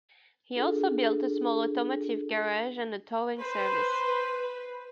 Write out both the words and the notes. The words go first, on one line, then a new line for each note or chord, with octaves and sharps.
He also built a small automotive garage and a towing service.
D4 F4 G#4 A4
B4 C5